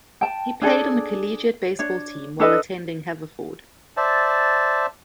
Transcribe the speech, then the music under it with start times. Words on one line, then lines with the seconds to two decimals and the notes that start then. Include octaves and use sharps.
He played on the collegiate baseball team while attending Haverford.
0.21 G5 A5
0.62 D4 G#4 A4 D5
1.79 D4 C#5
2.40 D4 A4 B4 D#5
3.97 C5 D5 E5 A5